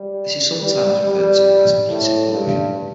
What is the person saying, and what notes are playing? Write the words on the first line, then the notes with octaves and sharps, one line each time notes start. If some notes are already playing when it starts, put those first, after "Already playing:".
This is sometimes referred to as "implicit collusion".
Already playing: G3
G3
G3
A2
G2